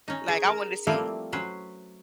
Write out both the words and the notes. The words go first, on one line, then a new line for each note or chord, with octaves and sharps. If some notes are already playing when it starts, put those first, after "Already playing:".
Like, I wanted to see
C#4 D#4
G#4
A#4
F3 G3 A3 A#3 C4 E4
F#3 C#4 B4 C5